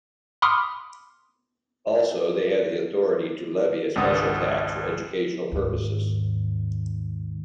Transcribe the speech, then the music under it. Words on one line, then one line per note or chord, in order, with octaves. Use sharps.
Also, they have the authority to levy a special tax for educational purposes.
B5 C6 D6 D#6 F6 C#7
G#1 C#2 D4 F#5 D#6
D#2 G#2